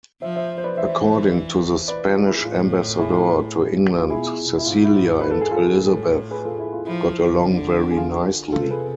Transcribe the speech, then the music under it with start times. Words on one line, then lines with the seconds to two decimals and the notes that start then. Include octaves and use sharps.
According to the Spanish ambassador to England, Cecilia and Elizabeth got along very nicely.
0.22 F3 C5 E5
0.36 C5 E5
0.58 C5
0.64 B4 D5
0.77 E3 C5 E5
1.88 B4 D5
2.07 F4
2.25 E4
2.35 G#4
2.44 A2 F4
2.99 E4 G#4
3.98 F4
4.10 B2 E4 G#4
4.58 E4
4.65 G#2 F4
4.84 E4
5.21 B4
5.31 A4
5.41 G#4
5.51 F4 A4
5.76 A2
6.31 G#4 B4
6.45 F4 A4
6.58 E4 G#4
6.73 F4
6.86 F3 E4
7.41 D3
7.91 G#4
7.97 F4
8.52 C3 F4 A4
8.70 G#4 B4